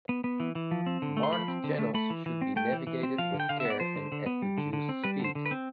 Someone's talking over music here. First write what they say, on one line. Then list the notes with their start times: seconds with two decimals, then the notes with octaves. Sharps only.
Marked channels should be navigated with care and at reduced speed.
0.09 B3
0.24 B3
0.40 E3
0.55 E3
0.71 F3
0.86 C4
1.02 D3
1.17 A3
1.23 C6
1.32 F3 B5
1.48 C4
1.64 D3
1.79 A3
1.94 A3 B5
2.10 E3
2.26 E3
2.42 C4
2.56 A3 G5
2.73 E3
2.87 E3
3.03 C4
3.18 F3 F5
3.34 D3
3.40 G5
3.49 D3 F5
3.60 B3 E5
3.70 D5
3.80 F3 C5
3.96 D3
4.12 D3
4.26 B3
4.42 G3
4.58 D3
4.73 D3
4.89 C4
5.04 G3 B4
5.19 D3
5.24 C5
5.35 D3
5.46 B4
5.51 C4